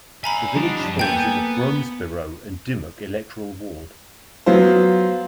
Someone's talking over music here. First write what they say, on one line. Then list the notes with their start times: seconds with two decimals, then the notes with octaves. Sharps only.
The village falls in the 'Bromesberrow and Dymock' electoral ward.
0.24 E5 F#5 G#5 A#5 B5
0.56 F3 G3 D4 D#4
0.82 F#2 A5
0.99 A#3 B3 A4 G5 G#5 G6
4.46 F#3 B3 F4 C5